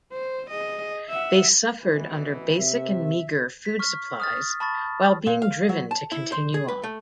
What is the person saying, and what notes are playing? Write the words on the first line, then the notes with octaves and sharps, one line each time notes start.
They suffered under basic and meagre food supplies while being driven to continue on.
C5
G#4 D#5
E5 F#5
A1 B2 E3
C3 E5
B6
C#6 F6
D#6 F6 A6
A5 B5 C#6 A6
A#2
F5
F#3
A5
E4
C5
G#4
B4
A3